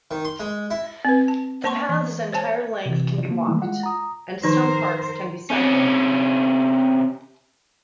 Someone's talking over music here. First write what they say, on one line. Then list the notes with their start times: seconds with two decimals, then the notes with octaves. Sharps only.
The path's entire length can be walked, and some parts can be cycled.
0.11 D#3
0.25 C6
0.40 G#3
0.71 E4
1.05 C4 B4
1.28 A5
1.64 A#3 C#4 A5 C6 C#6
1.89 E3
2.33 C5 C#5 G#5 A5
2.85 C3 E3
3.28 D3 A#3
3.46 D#3 E3 G3 A3 A#3 E4
3.62 G#3 F4 F#5
3.83 A#5 D#6
4.44 D#3 F3 D#4 A#4 C5
5.50 C3 C#4